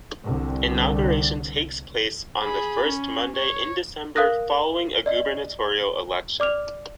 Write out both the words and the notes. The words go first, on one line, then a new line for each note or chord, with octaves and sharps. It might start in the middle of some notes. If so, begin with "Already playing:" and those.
Inauguration takes place on the first Monday in December following a gubernatorial election.
C2 D3
G#4 B5
C#4
C#5
A#4 F5 D#6 F#6 A#6
D5 D#5
D5 D6 F6 F7